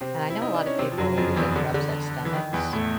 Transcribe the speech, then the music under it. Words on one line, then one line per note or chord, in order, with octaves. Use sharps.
And I know a lotta people use it for upset stomachs,
C3 C4
E4
D#4
D4
C#4
C3 C4
F3
F#2 F#3
F2 F3
E2 E3
D3
D3
E3
D#3
E2 E3
A2 A3